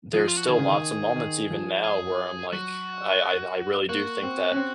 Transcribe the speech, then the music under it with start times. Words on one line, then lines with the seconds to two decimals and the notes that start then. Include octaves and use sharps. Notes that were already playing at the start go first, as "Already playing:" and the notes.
there's still lots of moments even now where I'm like, I I d I really do think that
0.13 F3 G#4
0.28 F4
0.37 F#4
0.47 D#3 G#4
0.58 C#3
0.68 D#3
1.16 D#3
1.51 F3
1.84 G#4
2.52 F#3 F#4
3.89 A#3 F#4
4.23 C4
4.52 C#4
4.56 C4